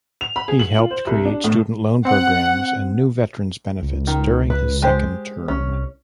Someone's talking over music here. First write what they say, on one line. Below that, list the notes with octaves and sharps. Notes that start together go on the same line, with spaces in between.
He helped create student loan programs and new veterans benefits during his second term.
F7
B5
G#4
F#7
F4
C5
C2
D4
A2
C4 F#5
C#2
D#3
B4
G#3 G4 C5
C2 C#4